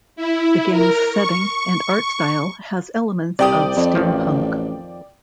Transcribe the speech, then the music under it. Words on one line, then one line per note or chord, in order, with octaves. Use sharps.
The game's setting and art style has elements of steampunk.
E4
A#4
C#6
C2 C3 G4 D5 G5 D#6
F2
A1 F2 D#3 F3